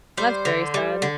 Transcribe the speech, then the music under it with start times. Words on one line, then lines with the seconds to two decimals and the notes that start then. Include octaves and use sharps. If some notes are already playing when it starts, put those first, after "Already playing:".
That's very sad.
0.17 G3 C5
0.45 D3
0.74 G3
1.02 D3